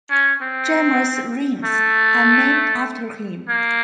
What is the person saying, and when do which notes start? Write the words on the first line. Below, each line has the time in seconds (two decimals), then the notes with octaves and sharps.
Gemma's rings are named after him.
0.10 C#4
0.42 C4
1.64 A3
3.49 A#3